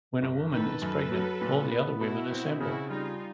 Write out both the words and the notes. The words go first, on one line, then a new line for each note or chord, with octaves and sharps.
When a woman is pregnant, all the other women assemble.
G1
D#3 A4 B4
F#2
F#3
A#2
B3
B2 E4 F#4
C4
C#3 E4 F#4
G3 D#4 F4